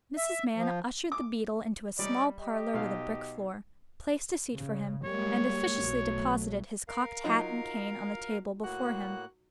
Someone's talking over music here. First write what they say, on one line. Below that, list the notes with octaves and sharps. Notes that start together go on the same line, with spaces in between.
Mrs. Mann ushered the beadle into a small parlour with a brick floor; placed a seat for him; and officiously deposited his cocked hat and cane on the table before him.
E5
F3
D6
G3 C#4 D#4 D5
G4 D#5
B1 F5
C#3
G3 G#3 A#3 C#5
B1 F#3 A3
A#4 F5
F#3 D#4 F4
A2 A#3 F#4 F#6